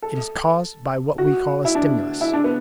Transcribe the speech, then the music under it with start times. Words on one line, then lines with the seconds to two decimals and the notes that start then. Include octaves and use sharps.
It is caused by what we call a STIMULUS.
0.02 A4
1.18 F#4
1.65 E4
1.75 D4
2.21 E4
2.33 D4
2.44 B3